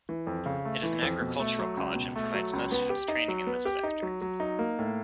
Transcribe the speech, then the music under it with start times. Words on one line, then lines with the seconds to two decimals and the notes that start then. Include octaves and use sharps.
It is an agricultural college and provides most of its training in this sector.
0.09 E3
0.27 F2
0.46 C#3
0.65 A3
0.83 E3
1.02 F2
1.21 B2
1.40 A3
1.59 F#3
1.77 C#2
1.96 B2
2.16 A3
2.34 F#3
2.53 C#2
2.72 B3
2.90 G4
3.08 D#4
3.28 F#3
3.47 B3
3.65 G4
3.83 D#4
4.02 F#3
4.21 F#3
4.40 D#4
4.59 A#3
4.79 A2